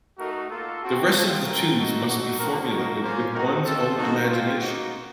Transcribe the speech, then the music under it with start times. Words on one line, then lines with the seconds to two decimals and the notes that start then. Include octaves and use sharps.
The rest of the tunes must be formulated with one's own imagination.
0.18 A3 D#4 F#4 A#4
0.50 A#3 F4 A4
0.82 C4 F#4
1.13 A3 C4 F4
1.44 A3 C4 F#4 A#4
1.75 A3 D#4 F#4
2.08 A3 D#4 F#4
2.38 C4 F#4 A#4
2.70 A#3 D#4 F#4 A#4
3.01 A#3 C#4 F4 C5
3.33 C4 D#4 F#4 A#4
3.64 C4 F4 A4
3.96 A#3 D#4 F#4
4.27 C4 F4
4.59 A#3 D#4 F#4